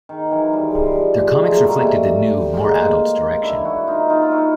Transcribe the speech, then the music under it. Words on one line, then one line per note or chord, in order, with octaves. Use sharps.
Their comics reflected the new, more adult direction.
D#3
E3 F#3
G3
G#3
F3 G3
G#3
A3
F#3 G#3
A#3
G3 A3
G#3 A#3
D4 E4
E4 F#4
D#4 F4
D#4 F4
F4
E4 F#4